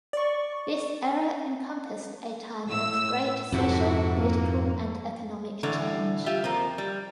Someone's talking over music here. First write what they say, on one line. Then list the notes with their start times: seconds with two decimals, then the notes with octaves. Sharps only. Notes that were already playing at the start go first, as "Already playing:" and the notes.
This era encompassed a time of great social, political, and economic change.
0.13 D5 C#6
2.67 A2 E6
3.52 F2 G#2 C3 E4 F#4 A4
4.17 A#3
5.63 A2 D3 E3
6.26 F4 G4 E5
6.44 F2 F3 A#3
6.78 G3